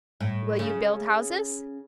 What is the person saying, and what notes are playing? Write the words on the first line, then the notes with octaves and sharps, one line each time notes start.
"Will you build houses?"
A2
C#3